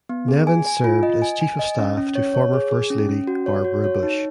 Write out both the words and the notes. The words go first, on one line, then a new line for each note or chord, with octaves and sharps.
Nevins served as Chief of Staff to former First Lady Barbara Bush.
B3
G#4
G#5
G#5
F4
D#5
G#5
G#5
D#5
C#4
C#4
C#5
C#5
G#4
G#4
C#4
C#4
F#4
C#5
F#4
C#5
D#4